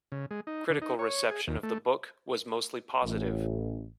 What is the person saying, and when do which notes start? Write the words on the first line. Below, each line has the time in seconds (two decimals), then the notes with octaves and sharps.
Critical reception of the book was mostly positive.
0.12 C#3
0.31 G#3
0.47 D#4
0.70 D3
0.82 D#4
0.99 C#5
1.31 G#4
1.47 D#2
1.63 A3
3.03 A1